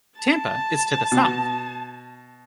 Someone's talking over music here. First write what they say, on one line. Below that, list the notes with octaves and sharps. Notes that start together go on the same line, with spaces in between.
Tampa is to the south.
A5
B2